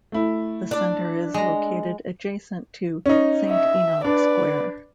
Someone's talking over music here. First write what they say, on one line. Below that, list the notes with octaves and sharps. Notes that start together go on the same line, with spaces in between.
The centre is located adjacent to Saint Enoch Square.
A3 E4
D4 D5
G#3 A#5
C#4 D#4
E5
D4 B4 D5